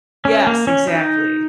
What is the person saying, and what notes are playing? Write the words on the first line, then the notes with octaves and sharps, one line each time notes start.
Yes, exactly.
C#4
A#3
C#4
D#4